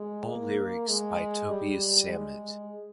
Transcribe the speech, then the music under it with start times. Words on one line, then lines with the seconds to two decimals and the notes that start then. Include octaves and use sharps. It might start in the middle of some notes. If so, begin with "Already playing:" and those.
All lyrics by Tobias Sammet.
Already playing: G#3
0.30 A#3
0.89 G#3
1.50 G3
2.10 G#3